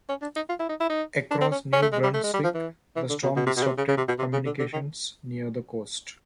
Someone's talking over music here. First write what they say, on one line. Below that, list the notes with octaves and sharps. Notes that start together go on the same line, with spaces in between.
Across New Brunswick, the storm disrupted communications near the coast.
C#4
D4
D#4
F4
E4
D#4
E4
D#4
D4
C4
C#4
C#4
A3
G#3
G3
A3
G#3
G3
F3
E3
E3
D3
B2
B2
C3
B2
C#3
C3
C#3
C#3
C3
B2
C3
C#3
D3
D3
D#3